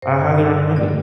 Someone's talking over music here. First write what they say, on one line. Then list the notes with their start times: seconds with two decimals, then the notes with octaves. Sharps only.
I highly recommend it.
0.02 G2 C5
0.21 G2
0.39 G3
0.57 G2
0.76 G3 D5